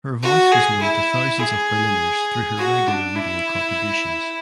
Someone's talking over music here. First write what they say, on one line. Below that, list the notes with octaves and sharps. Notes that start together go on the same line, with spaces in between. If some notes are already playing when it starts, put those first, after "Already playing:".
Her voice was known to thousands of Berliners through her regular radio contributions.
F#4
G#4
E4
G#4
F#4
D4
E4